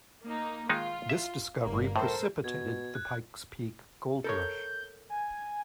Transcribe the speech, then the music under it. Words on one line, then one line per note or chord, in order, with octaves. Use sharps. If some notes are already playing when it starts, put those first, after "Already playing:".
This discovery precipitated the Pike's Peak Gold Rush.
A#3 D#4
D#3 G#3 D#4 F4
E5
G1 A#3
A2 A4 A#4 C5
B2 G#6
F#6
A4 A#4 C#5 G6
G#5